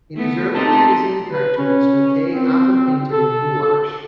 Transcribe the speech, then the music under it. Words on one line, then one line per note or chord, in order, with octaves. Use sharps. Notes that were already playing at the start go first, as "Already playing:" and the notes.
In his early magazine cartoons McCay often painted in gouache.
A3 B3
C4 D#4 G4 A5
B4
C#4
C4
A4